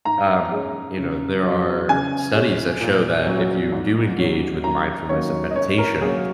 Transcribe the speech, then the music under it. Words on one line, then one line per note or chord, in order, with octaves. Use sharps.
I um, you know, there are studies that show that, if you do engage with mindfulness and meditation,
G#2 A#5
G#3 C#4
C#3
F#3 C#4
C#3 G#5
G#3 C#4
A#2
F#3 C#4
G#2
F#3 C#4
F#2 A#5
D#3 F#3 A#3 C#4 C#5
D#5
F#2 C#5
A#4
F#3 A#3 C#4 G#4